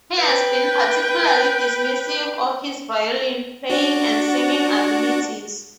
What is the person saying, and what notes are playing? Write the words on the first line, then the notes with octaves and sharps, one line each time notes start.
He has been particularly dismissive of his violin-playing and singing abilities.
B4 G5
D4 F#4